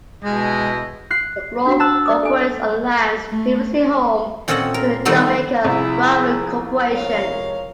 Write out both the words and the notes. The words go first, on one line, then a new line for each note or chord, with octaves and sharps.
The club operates on lands previously home to the Jamaica Railway Corporation.
B2 G#3 E4 G4 D#5
F#6 C7
D4 F#4 F#5
A5 E6 F#6
D5 D6 D#6
A4 G#5
A3
A#2 C4 C#4 A4 D#5 F#5
A#4
D#3 F3 G3 A3 B3 C4
C2 F3 E4 G#4
F3 G#3 A#4 C#5 F5